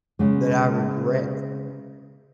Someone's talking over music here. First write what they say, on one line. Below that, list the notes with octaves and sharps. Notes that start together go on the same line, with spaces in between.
that I regret."
C#3 G#3